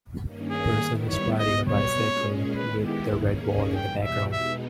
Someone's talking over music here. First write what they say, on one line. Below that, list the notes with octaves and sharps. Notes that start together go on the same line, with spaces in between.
A person is riding a bicycle with a red wall in the background.
G2 D#3 A#3 C#4
G#4
D#3 G3 B3 E4
C#5
B2 G3 B3 D#5
C#5
A#2 G#3 C#4 G#4
D#3 G#3 B3 E4 B4
G4
D#2 D#3 A#3 C#4 G#4
E2 B2 G3 G5
E5
B2 G#3 B3 D#4 E5